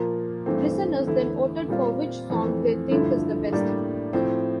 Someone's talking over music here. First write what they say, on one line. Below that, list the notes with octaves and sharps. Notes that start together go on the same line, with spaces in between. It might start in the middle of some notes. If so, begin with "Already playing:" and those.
Listeners then voted for which song they think is the best.
Already playing: A#2 F3 A#3
G2 E3 A3 C4
E2 D3 A3 E4
A#2 G3 C4 F4
F2 E3 A3 C4
G2 D3 F3 A3 E4
A2 G3 A#3 D4
A2 F3 C4